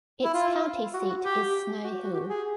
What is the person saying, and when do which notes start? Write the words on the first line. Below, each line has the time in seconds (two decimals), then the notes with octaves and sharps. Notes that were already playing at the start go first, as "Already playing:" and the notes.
Its county seat is Snow Hill.
0.24 E4
0.34 F4
0.94 F#4
1.10 F#4
1.24 G4
1.84 F#4
2.04 F#4
2.14 G4
2.29 G#4